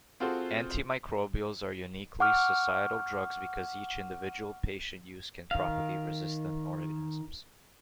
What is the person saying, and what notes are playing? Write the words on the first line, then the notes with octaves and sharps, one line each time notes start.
Antimicrobials are uniquely societal drugs because each individual patient use can propagate resistant organisms.
C4 F4 F#4 G#4 A4 C5
F#5 C#6 D6 F6
D#3 F5